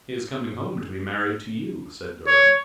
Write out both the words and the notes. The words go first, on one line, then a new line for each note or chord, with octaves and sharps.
"He is coming home to be married to you," said Durham.
C#5